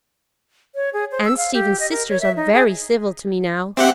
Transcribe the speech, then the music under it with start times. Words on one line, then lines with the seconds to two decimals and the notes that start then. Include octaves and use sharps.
And Stephen's sisters are very civil to me now.
0.75 C#5
0.93 G#4
1.12 C5
1.25 E6
1.37 F5
1.54 G4
1.80 D#5
1.91 A#4
2.09 C#5
2.21 E5
2.37 D#4
2.53 G#4
3.77 C4 G4 E5 F#5